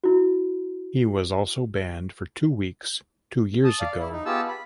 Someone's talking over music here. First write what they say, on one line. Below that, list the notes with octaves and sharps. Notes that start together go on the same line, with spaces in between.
He was also banned for two weeks two years ago.
E4 F#4
A5 D#6
D5 F5
E4
D#4
B3 F4 G4 G#4 A5 E6
B5